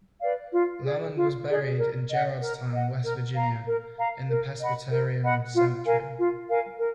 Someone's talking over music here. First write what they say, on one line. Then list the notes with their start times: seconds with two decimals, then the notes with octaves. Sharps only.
Lamon was buried in Gerrardstown, West Virginia, in the Presbyterian Cemetery.
0.20 B4 D5 F5
0.51 F4
0.83 G#4 D5
1.15 F4
1.46 G#4 D5
1.78 A#4
2.09 D#5 F#5
2.40 A#4
2.71 D#5 F#5
3.03 A#4
3.35 F5 A#5
3.66 A#4
3.97 F5 A#5
4.27 A#4
4.59 D#5 F#5 B5
4.90 A#4
5.23 D#5 F#5 B5
5.53 F4
5.84 A#4 F5 G#5
6.17 F4
6.48 A#4 F5 G#5
6.79 A#4